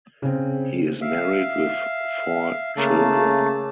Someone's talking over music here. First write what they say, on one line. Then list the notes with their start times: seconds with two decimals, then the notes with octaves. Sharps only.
He is married with four children.
0.22 C#3 C4
1.01 E5 F5
2.77 C#3 A3 A#3 A5